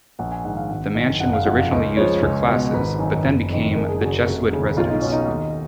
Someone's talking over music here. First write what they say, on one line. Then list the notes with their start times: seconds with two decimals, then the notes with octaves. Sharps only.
The mansion was originally used for classes, but then became the Jesuit residence.
0.19 A#1 F#5
0.32 G#5
0.44 G#2 D#3 F#5
0.57 F5
0.69 G#1 F#5
0.95 F#2 D#3
1.20 F#1 F#5
1.33 F5
1.46 F2 F3 F#5
1.59 F5
1.71 C#2 D#5
1.97 C#3 F3 C#5
2.22 C#2
2.48 B2
2.73 G#1 B4
2.99 F#2 D#3
3.25 F#1
3.50 F2 D#3
3.75 F#1 A#4
3.89 G#4
4.01 F#2 F#4
4.06 C#3
4.15 G#4
4.26 F1 F#4
4.52 D#2 C#3
4.77 B1 F4
4.90 D#4
5.02 B2 C#4
5.12 D#4
5.28 D#2